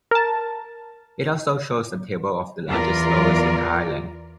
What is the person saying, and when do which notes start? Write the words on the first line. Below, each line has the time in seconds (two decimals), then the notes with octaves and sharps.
It also shows a table of the largest loughs in Ireland.
0.11 A#4 A5
2.69 E2 F4 A#4 D5